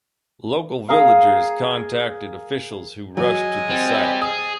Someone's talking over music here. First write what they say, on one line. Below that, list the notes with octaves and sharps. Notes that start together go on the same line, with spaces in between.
Local villagers contacted officials who rushed to the site.
G#4 A#4 F5
F#3 D#5 G#5
G3 C4
G#4 D#6